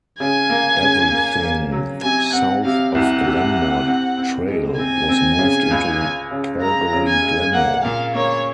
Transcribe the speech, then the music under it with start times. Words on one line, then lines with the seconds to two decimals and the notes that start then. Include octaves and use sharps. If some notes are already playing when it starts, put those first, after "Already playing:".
Everything south of Glenmore Trail was moved into Calgary-Glenmore.
0.20 C#3 G#5
0.50 A#3
0.81 C#3
1.12 A#3
1.41 A#3
1.72 F#3
2.02 C3 G#5
2.33 C4 F#5
2.64 C3 F5
2.94 C2 F#5
3.25 C3
3.55 C3
3.86 C4
4.17 C4
4.48 G#3
4.78 C4 G#5
5.09 C4
5.39 C#3
5.70 C#2
6.01 C#2
6.31 C#3
6.61 G#3 A#5
6.93 C#3
7.08 G#5
7.22 G#3
7.53 A#3 F#5
7.84 A#2 F5
8.14 A#3 C#5